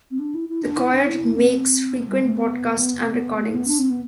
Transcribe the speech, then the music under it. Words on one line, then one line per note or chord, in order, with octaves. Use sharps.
The Choir makes frequent broadcasts and recordings.
C4
D4
E4
E4
D4
E4
D4
E4
C4
G3
A3
B3
B3
A3
B3
D4
C4
B3